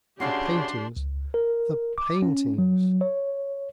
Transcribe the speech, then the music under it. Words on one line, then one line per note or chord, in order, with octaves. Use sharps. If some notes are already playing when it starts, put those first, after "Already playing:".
The paintings--the paintings!
C#3 D4 F#4 G4 E5 F5 C6
C#2
A#4
D6
C#4
F#3
C#5